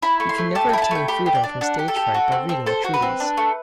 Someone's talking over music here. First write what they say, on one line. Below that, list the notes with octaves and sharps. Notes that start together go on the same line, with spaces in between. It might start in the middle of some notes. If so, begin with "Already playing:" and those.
You can never attain freedom from stage-fright by reading a treatise.
E4 B5
A3
C6
A3
G4 A5
G5
E4 B5
A5
A3 G5
G4 B5
G4
D5
D4
D4 F#5
G4
A4
G4
F#4
C4
C4
A4 C5
F#4
B4
C4
D4
A3